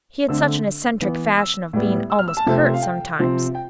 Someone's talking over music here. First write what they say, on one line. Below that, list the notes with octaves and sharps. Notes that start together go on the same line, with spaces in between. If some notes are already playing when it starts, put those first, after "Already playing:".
He had such an eccentric fashion of being almost curt sometimes.
D3 A3 C4 E6
E3 B3
E6
A2 G3 B3
E6
F6
E6
A5
C3 F3 A3 C4
F5
G5
C3 F3 C4
G5